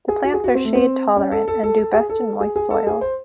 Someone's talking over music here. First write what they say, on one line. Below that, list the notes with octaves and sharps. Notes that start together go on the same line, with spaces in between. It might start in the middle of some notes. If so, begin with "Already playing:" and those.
The plants are shade-tolerant and do best in moist soils.
G#4
F#4
G#4
F#4
C4
A3
C4
C#4
A4
A4
A4
A4
G#4
A4
G#4
G#4
A4
G#4
C5